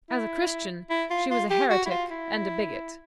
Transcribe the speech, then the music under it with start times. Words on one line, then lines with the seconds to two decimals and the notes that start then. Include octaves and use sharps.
As a Christian she was a heretic and a bigot.
0.10 E4
0.90 E4
1.10 F4
1.30 F4
1.50 G4
1.70 F#4
1.86 E4
1.91 F4
2.11 E4